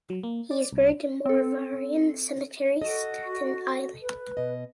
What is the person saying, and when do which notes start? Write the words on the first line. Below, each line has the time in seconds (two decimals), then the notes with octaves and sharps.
He is buried in Moravian Cemetery, Staten Island.
0.10 F#3
0.23 A#3
0.51 D5
0.73 C2
1.26 C4 A4
2.82 F#4 A4 D#5
4.02 B4
4.37 B2 D#5